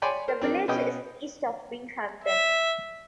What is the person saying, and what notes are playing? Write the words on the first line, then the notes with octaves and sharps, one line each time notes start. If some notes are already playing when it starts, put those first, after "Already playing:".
The village is east of Binghamton.
C#5 D5 G5 G#5 B5 C6
A#4 C5
C4 D4 A#4
B2 B3 C#4 D#5 G5 D#6
E5